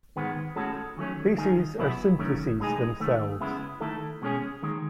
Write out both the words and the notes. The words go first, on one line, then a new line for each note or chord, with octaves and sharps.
Faces are simplices themselves.
G#2 D#3 G#3 B3
A2 G#3 C#4 F#4 A4
D#3 F#3 A3 C#4
D#2 D#3 G#3 D#4 G#4
B2 F#3 B3 E4
F#2 D#3 A3 C#4
B1 A2 G#3 D#4 G#4
G#2 D#3 A3
F#2 C#3 G#3 B3 E4
D#3 A3 E4 A4
B2 G#3 C#4 G#4
D#2 D#3 G#3